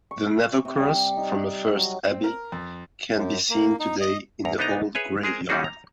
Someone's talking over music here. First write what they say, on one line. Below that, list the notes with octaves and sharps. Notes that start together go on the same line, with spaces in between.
The Nethercross from the first abbey can be seen today in the old graveyard.
C#6
C3
G3
D#4
F#3
C4
A#4
F2
F#2
A#3
D#4
D#5
E2 A#5
C2 B3 D4 D#4 D#5 A#5
G#4 B4 C#5 E5 G#5
G#3 G#4 A#4 C5
G3 C#4 D#4 F#4 G#4
A#5